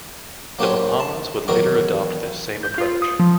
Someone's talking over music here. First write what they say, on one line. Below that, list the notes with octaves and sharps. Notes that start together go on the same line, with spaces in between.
The Bahamas would later adopt this same approach.
F#3 A#3 D4 G4 C5 C#5
A5
E2 D#3 F#3 F#4 A#4 D6
G6
F4
D#6
F3